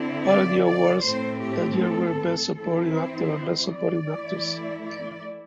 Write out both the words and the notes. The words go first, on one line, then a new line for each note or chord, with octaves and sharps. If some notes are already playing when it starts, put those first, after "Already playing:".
Other new awards that year were Best Supporting Actor and Best Supporting Actress.
Already playing: D3 C4 E4
D5
D5
A2 A3 C4 C5
G4
A4
E3 C4 E4 A4
C5
D5
E3 A3 E4
D5